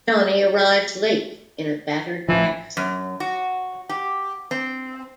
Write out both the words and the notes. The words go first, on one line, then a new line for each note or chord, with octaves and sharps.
Johnny arrives late in a battered taxi.
A1 E3 F3
F#2
F#4
G4
C4